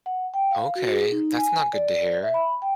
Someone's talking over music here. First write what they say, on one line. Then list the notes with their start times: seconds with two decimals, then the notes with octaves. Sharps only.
Okay, that's not good to hear.
0.06 F#5
0.34 G5
0.51 F5
0.75 F#4
0.89 G#4
1.12 D#4
1.37 G#5
1.73 D5
2.23 E5
2.34 B5
2.62 G5